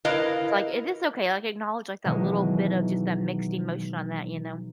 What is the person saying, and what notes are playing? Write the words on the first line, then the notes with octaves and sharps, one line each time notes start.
So, like, if it's okay, like, acknowledge, like, that little bit of just that mixed emotion on that, you know?
E4 A#4 B4 D#5 F5 A#5
B2 D#3 E3 F#3 G#3